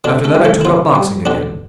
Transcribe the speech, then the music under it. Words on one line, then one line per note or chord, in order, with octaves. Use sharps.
After that I took up boxing again.
B2 D3 D4
A3 A4
G3
A3 A4
E4
B2 F3 F4
G3
B2 D3 D4